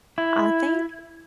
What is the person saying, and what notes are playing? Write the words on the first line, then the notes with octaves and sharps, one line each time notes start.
I think
E4